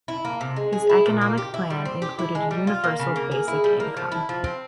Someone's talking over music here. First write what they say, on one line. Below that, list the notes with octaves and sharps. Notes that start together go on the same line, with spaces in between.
His economic plan included universal basic income.
E4
A#3
C3
G#3
G#4
E4
A#2
A#3
G4
E4
G3
C4
G4
E4
G#3
G3
F4
A#3
C#3
A#3
G#4
E4
G3
A#3
F3
E4
F3
C4